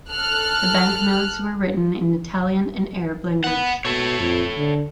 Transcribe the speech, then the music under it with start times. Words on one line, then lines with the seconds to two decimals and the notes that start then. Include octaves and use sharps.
The banknotes were written in Italian and Arab language.
0.11 A4 F6 F#6
3.44 B3 F#5
3.85 B2 A4 C#5
4.20 F2
4.57 D3